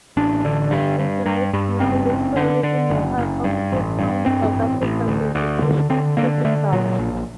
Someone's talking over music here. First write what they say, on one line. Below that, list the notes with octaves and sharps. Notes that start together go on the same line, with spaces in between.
It lies now literally in the heart of Cape Town, South Africa's Legislative Capital.
A1 D4
D3
G2
G2
G2
G2
F#1 C4
F#1
D3
D3
F#1
F#1
G2
A1
G2
G2 C4
A1
A1
D2
D2
D3
D3 C4
D3 A#3
D3 A3
A#2 F#3
A#1